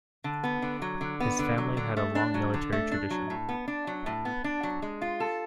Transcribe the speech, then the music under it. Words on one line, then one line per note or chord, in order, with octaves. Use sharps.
His family had a long military tradition.
D3
B3
D3
F#3
D3
B3
D3
F#3
D3
A3
D4
F#3
D3
A3
D4
F#3
A2
B3
D4
F#3
A2
B3
D4
F#3
G#3
F4
A4